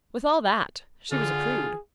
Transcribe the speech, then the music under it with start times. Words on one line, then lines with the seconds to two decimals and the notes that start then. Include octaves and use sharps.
With all that she was a prude.
1.12 D3 F4 G#4